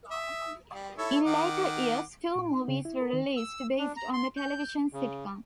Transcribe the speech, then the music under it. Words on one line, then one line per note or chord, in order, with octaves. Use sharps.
In later years two movies were released based on the television sitcom.
E5 D#6
G3
E4 A4 C#5
D#3 F#5 D6
A#2
D#4
C#3
E4
A#4
D#3
E6
D4
A#5
C6
G6
C#3